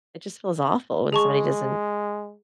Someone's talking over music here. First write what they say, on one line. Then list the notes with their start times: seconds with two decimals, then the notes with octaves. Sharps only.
it just feels awful when somebody doesn't
1.12 G#3 G#4 A5 C#6